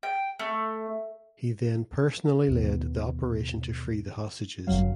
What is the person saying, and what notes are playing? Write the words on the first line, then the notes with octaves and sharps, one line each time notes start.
He then personally led the operation to free the hostages.
G5
A3
A1 D#2 B2
G1 F#2 F#3 F5